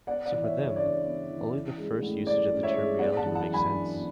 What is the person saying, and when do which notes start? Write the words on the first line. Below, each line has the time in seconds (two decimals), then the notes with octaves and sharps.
So for them only the first usage of the term reality would make sense.
0.07 B3 D5 F#5
0.25 D5 F#5
0.32 E3
0.44 C#5 E5
0.56 C#3
0.62 C#5
0.76 D4 D5
0.89 C#5
1.05 B3
1.30 E3
1.54 C#4
1.78 G#3
2.03 A2
2.27 A2 D5
2.51 C#4
2.63 C#5 E5
2.75 G#3
2.99 B3 D5 F#5
3.17 F#5 A5
3.24 E3
3.35 F#5 A5
3.48 F#2
3.54 G#5 B5
3.73 D4
3.96 B3